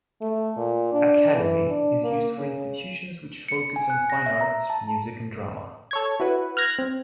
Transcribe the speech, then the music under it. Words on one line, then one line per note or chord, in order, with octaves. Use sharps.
"Academy" is used for institutions which focus on fine arts, music and drama.
A3
A#2
D4
E3
D4
A#3
C#3
C#7
G#5
F#6
A#6
E5
A#5
A5
A4 C#5 G#6
E4 F#4 B4
F6 F#6 G#6 A#6
C4